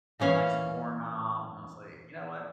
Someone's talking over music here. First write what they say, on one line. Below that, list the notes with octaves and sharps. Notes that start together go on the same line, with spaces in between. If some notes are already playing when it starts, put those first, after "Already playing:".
it's nice and warm out, and I was like, "you know what,
A#2 E3 C#4 F5